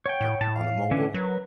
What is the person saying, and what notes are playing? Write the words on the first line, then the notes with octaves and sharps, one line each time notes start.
on the on the mobile.
C#5 F#5 G5
A2
A2 A5
F5
D3 E3 C#4
F#3 A#4 B4